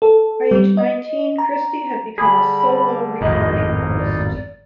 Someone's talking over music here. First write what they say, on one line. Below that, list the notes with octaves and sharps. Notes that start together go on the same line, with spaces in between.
By age nineteen, Christy had become a solo recording artist.
A4
G3
D#5
A#5
D3 G3 G#4 B5
G#1 F2 A2 A#3 D#4 D#5
D5